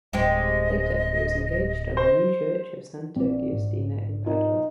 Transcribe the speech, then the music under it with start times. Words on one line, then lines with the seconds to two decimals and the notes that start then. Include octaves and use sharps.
Later, he was engaged on the new church of Santa Giustina in Padua.
0.13 D1 G#3 C4 G4 D#5
1.97 C5
3.16 A#1 C4 D5
3.53 G#2
4.26 D#4 F4 A#4